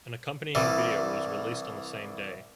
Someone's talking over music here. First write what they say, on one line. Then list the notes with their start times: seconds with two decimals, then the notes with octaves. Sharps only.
An accompanying video was released on the same day.
0.55 C2 E3 G3